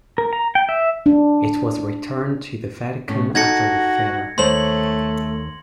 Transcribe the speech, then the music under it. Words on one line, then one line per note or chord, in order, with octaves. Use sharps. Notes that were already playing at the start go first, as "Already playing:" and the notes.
It was returned to the Vatican after the fair.
A#4
A#5
G5
E5
D4
A2 C#4
D#4 F#4 A4 G#6 A#6 C#7
D#2 A3 C5 C#5 C6 F#7